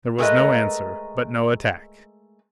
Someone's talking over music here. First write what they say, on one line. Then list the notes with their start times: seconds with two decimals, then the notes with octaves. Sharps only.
There was no answer, but no attack.
0.18 G#3 A3 G4 A#4 B4 D#5